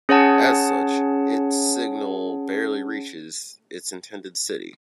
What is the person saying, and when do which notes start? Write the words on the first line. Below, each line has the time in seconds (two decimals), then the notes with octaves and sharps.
As such, its signal barely reaches its intended city.
0.09 C#4 G#4 C#5 F#5 A5